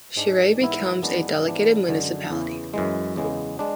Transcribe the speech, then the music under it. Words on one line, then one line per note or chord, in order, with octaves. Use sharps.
Cherré becomes a delegated municipality.
G#2 G#3 D4
G#2 E3 B3 E4
F#2 E3 G#3 B3 D4
G#2 E3 B3 D4
F#2 D3 G#3
E2 C#3 E3
F#2 E3 G#3
E2 C#3 G#3 B3
G#3 D4